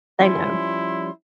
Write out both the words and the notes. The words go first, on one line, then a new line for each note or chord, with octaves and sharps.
they know.
F3 G3 C#4 E4 C6